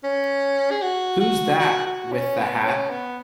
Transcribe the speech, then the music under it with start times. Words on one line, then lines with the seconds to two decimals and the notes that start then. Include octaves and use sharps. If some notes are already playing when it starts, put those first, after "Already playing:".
Who's that with the hat?
0.04 C#4
0.71 G#4
0.82 F#4
1.20 F#4
1.60 F#4
1.86 F#4
2.12 C#4
2.39 B3
2.64 C#4
2.90 B3